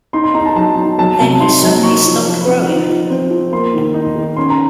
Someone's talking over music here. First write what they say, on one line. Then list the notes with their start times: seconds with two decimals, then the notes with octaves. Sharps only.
Then he suddenly stopped growing.
0.13 D#4 C6
0.24 C6
0.34 D#4 A#5
0.46 A5
0.56 F#3 A5
0.77 D#4
0.98 F#3 A5
1.19 C3 A5
1.40 D#4 C6
1.62 F#3
1.83 D#4 C#6
2.05 F3
2.25 F3
2.46 C4
2.68 D#4
2.89 F3
3.10 C4
3.30 F3
3.52 A#3 C6
3.74 D#3
3.94 D#4
4.16 D#3
4.36 C#4 C6
4.50 A#5